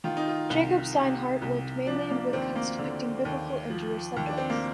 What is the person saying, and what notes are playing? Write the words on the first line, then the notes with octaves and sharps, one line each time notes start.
Jacob Steinhardt worked mainly in woodcuts depicting biblical and Jewish subjects.
D#3 F4
D#4
F4
C2
C3
C2
F3 D4
A#3
D#2 C4
A#3
D3
D#2
F3
D#2
D4
C4
A#3